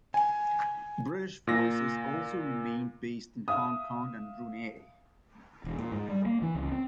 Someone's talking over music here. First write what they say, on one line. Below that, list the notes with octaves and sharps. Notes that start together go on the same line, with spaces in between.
British forces also remained based in Hong Kong and Brunei.
G#5
A#2 A#6
E5 F5 D#6
E1
A#2
G#2
G3
A#3
E3
C#2
C4